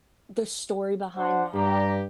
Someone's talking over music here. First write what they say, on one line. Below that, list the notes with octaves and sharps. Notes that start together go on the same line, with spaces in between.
the story behind that,
D4 C5 F#5
G2 G4 D5 A#5